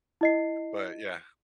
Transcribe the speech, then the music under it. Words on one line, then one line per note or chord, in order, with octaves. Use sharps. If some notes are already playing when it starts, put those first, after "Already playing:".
but, yeah.
E4 D#5 C7